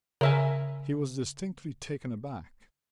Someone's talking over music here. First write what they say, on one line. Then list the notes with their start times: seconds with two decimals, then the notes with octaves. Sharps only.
He was distinctly taken aback.
0.21 C#3 A#4 E5 G#5